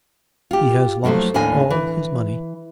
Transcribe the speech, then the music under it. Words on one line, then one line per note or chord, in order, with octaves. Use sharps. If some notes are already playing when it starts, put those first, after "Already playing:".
He has lost all his money....
F4 G4
F3 F#3 A3 A#3 D#4
D#2 A2 A#3 D4 D#5 G#5
E3